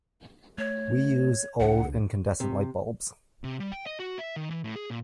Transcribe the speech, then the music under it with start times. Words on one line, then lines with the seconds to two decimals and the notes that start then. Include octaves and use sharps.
We use old incandescent light bulbs.
0.58 A3 C#5
1.60 C#2 D4 F#5
2.40 C3
3.44 C3
3.60 G3
3.72 G5
3.86 D#5
4.00 F#4
4.19 E5
4.36 D#3
4.50 E3
4.64 A2
4.76 G#4
4.90 A#2